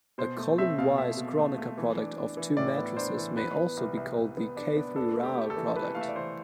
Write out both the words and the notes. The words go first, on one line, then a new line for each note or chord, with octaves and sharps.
A column-wise Kronecker product of two matrices may also be called the Khatri-Rao product.
B2 C5
A3
C4 E5
B2 F5
A3 E5
B2
A3
A3
E3
D4
D4
E3
A2 D5
B3
D4 C5
E3
B3 B4
B3
C2
C2
C2
B3
D4
B3
D4 A4
A3
G4
A3
A4
E3
E3 B4
A3 F5
E5
D5
E3 C5